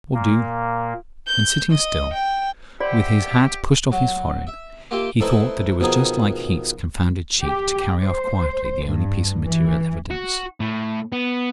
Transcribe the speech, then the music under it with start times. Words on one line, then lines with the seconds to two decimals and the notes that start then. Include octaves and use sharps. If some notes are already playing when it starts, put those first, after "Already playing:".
"That will do." And sitting still, with his hat pushed off his forehead, he thought that it was just like Heat's confounded cheek to carry off quietly the only piece of material evidence.
0.15 A#2 A#3
1.27 G6
1.72 D#5
2.14 G5
2.81 G4 C5 D5 E5 F#5 G5 B5
3.92 F#3
4.47 E5
4.91 A#3 F4 G4 E5 G5
5.20 A3 C4 D#4 E4 B4 C5
5.80 B2 D#3 F3 B3 D#4 G#4
7.45 G4
8.03 C5
8.86 G2
9.44 E3
10.11 F#4
10.60 A2
11.12 B3